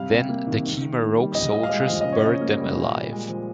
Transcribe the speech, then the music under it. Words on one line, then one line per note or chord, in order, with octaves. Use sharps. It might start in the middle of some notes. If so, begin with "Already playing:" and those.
Then the Khmer Rouge soldiers buried them alive.
Already playing: C3 G3 F5
C3
A#3
D#3
D#3
D#3
A#3
G3
A#2 D#5
A#2 D#5
F5
G#3 D#5
F3 F5
C#3 D#5
C#5
C#3 D#5
A#3
G3
A#2
A#2
G#3
F3